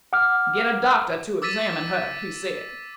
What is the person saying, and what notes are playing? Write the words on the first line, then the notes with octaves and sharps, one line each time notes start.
"Get a doctor to examine her," he said.
F#5 D6 F6
D6 E6 A6 B6 D#7